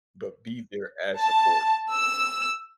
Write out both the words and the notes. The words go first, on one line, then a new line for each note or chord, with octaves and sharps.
but be there as support.
A5
E6